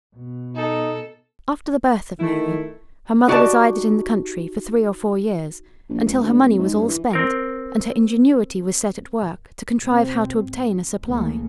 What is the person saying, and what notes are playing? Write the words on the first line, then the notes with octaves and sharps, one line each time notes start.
After the birth of Mary, her mother resided in the country for three or four years, until her money was all spent, and her ingenuity was set at work to contrive how to obtain a supply.
B2
D#4 A4
D#3 A3 E4
D#4 F#4 G4 D5 F#5 A5
A#1
C#2
D2
F1
G#2
G2
E3
C4 A#4
B2 C4
G#2
C#2 A#2 C#3 E3 A3 A#3